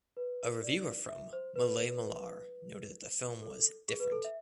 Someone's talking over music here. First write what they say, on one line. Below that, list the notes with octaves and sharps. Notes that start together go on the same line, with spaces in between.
A reviewer from "Maalai Malar" noted that the film was "different".
B4
D5
E5
C5
B4
A4
G#4
B4
A4
E5